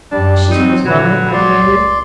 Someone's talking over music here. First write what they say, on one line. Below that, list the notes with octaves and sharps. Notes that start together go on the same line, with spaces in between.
"She's close by?" I demanded.
F#2 G3 D4
F#3 C4 D#4
A#2 D3 F#3 B4
A#1 G#3 D5 C6
C#2